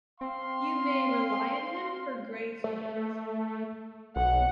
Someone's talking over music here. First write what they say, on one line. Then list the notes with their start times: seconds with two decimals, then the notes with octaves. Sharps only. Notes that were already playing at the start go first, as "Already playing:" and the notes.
You may rely on him for great things.
0.21 C4 F5 C6
2.64 A3
4.16 B1 F#5